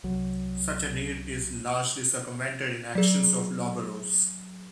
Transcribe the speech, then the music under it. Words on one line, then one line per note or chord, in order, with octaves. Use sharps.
Such a need is largely circumvented in actions of lawburrows.
C2 F#3
F#3 G#4